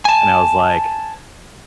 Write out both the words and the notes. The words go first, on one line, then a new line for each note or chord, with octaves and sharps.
and I was like,
G#5 A5